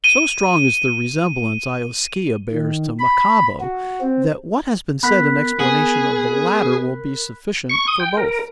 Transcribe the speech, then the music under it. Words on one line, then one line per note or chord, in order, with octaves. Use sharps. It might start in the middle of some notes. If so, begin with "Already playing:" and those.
So strong is the resemblance Ioskeha bears to Michabo, that what has been said in explanation of the latter will be sufficient for both.
D#7 G7
D#3
B5
F#4
C4
B3 A#4 B5 F#6 B6
B3 G#4 F#7
C#6
D#6
G5
A#4